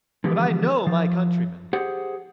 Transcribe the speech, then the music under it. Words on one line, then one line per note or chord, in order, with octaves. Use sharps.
But I know my countrymen.
D3 E3 F3 G#3 B3 G4
F3
G4 G#4 C5 F#5